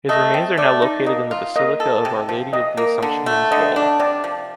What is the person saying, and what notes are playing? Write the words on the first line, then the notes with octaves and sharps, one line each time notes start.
His remains are now located in the Basilica of Our Lady of the Assumption in Zwolle.
A3 D#5
C4
A3 D5
D#4
A#3 D#5
F4
A#3 D#5
A4
C3
F3
C3 D#5
A#3
D3
A3
D3 D#5
D4
C3 D5
F3